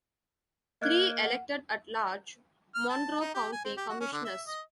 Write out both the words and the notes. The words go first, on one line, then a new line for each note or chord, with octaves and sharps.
Three, elected at large, Monroe County Commissioners.
A#3 D#5 F#6 G#6
F#5
F6
A5
D#4
G4
G#5
C4
G4
F#4
C#4
D3
E5
D#5